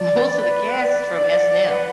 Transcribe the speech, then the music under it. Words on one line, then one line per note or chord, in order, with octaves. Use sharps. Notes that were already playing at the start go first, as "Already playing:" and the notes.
most of the cast is from SNL.
Already playing: D5
B4
D5
F#5
B4